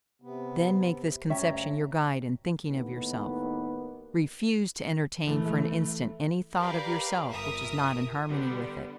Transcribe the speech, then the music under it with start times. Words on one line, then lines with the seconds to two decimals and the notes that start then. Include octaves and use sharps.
Then make this conception your guide in thinking of yourself; refuse to entertain for an instant any thought of yourself which is not in harmony with it.
0.22 C3 B3
1.30 D2 G2 C#4 E5 G5 A#5
2.67 D#2 A2 B3 D#4 B4
5.25 E3 A3
6.59 G4 A#4 B4 D5 F5
7.31 G1 A#4 E5 D#6
8.29 D3 G3 B3